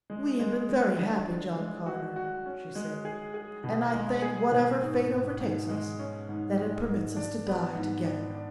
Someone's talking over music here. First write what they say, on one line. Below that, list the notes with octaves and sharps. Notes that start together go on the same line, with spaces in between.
"We have been very happy, John Carter," she said, "and I thank whatever fate overtakes us that it permits us to die together."
G#3
G#3
G#3
D3
D4
G#3
F#4
F#4
C#4
G#3
G#4
G#4
B2
G#3
G#4
B2
G#2
G#2
G#2
G#3
C#4
G#2
G#3
G#2
D4
B3
G#2
D4
D4